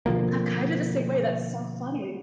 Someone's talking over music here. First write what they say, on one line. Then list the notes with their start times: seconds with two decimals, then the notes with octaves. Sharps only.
I'm, kind of, the same way. That's so funny,
0.06 B2 D3 F3 A#3